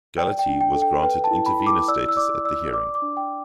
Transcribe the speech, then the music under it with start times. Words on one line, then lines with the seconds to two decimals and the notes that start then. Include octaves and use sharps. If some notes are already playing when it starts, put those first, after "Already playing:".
Galati was granted intervenor status at the hearing.
0.17 D5 G5
0.39 G5
0.47 D4
0.61 G5
0.75 A4
0.82 G5
1.03 B4 G5
1.24 A5
1.31 E4
1.46 B5
1.60 E4
1.67 D6
1.88 D5 E6
2.09 E6
2.17 D5 D6
2.45 D5 E6
2.73 D5 D6
2.95 D6
3.02 D4
3.17 G5